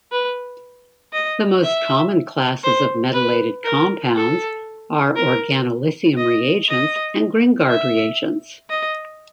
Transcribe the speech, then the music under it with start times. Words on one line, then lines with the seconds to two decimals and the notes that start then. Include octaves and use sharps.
The most common classes of metallated compounds are organolithium reagents and Gringard reagents.
0.12 B4
1.13 D#5
1.63 E5
2.64 C5
3.14 B4
3.65 A#4
4.16 A4
5.16 A#4
6.17 D#5
6.69 D#5
7.69 E5
8.70 D#5